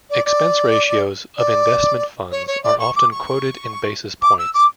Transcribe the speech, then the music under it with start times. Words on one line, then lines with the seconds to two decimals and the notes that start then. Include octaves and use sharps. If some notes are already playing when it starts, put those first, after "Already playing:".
Expense ratios of investment funds are often quoted in basis points.
0.09 D5
0.25 D5
1.36 D5
2.31 C#5
2.47 C#5
2.63 D5
2.79 C#6
2.95 D6
3.11 C#6
4.21 D6
4.38 E6
4.54 D6